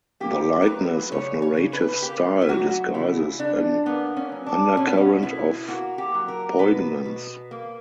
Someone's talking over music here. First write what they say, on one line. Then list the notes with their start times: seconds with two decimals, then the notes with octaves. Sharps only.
The lightness of narrative style disguises an undercurrent of poignance.
0.20 A#3 G4
0.62 A#4
0.66 F#3 B4
1.12 C#3 C#5
1.42 C#5
1.57 C#3
1.73 B4
2.02 A#3 G4
2.42 E4
2.48 F#3 F#4
2.94 C#3 E4
3.39 C#3 D4
3.86 A#3 B3
4.17 C#4
4.32 F#3
4.46 D4
4.77 B2 C#4
4.87 B3
4.97 C#4
5.22 B2 E4
5.68 A#3 F#4
5.98 G4
6.14 F#3
6.28 A#4
6.59 B2 B4
7.05 B2
7.51 A#3